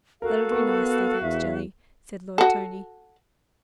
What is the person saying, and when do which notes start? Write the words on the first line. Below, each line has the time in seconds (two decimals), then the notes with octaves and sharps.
"That'll do nicely, thanks, Jelly!" said Lord Tony.
0.22 F#4 A4 A#4 F5
0.52 B3 A#4 C#6
1.22 E2 E5
2.38 F#4 A4